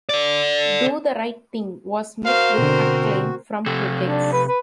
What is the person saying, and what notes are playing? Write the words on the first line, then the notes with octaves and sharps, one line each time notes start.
"Do the Right Thing" was met with acclaim from critics.
A4 D5
F#4 A#4 C5 F5
B2 D3 C4
C3 A4
D4
B4
B4